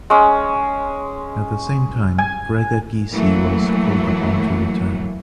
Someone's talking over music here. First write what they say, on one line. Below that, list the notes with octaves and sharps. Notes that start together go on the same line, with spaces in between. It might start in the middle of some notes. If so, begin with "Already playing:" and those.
At the same time, Gregor Gysi was called upon to return.
G#3 C#4
G#5
E3 F#3 A3 A#3